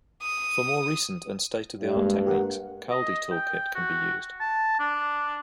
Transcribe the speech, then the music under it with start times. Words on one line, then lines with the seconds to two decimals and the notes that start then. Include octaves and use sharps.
For more recent and state-of-the-art techniques, Kaldi toolkit can be used.
0.22 D#6
1.75 G2
1.96 G#3 A#3
2.27 G4 A#4 F#5
2.92 D#5
3.32 G5
3.75 F#4
4.41 A5
4.80 D4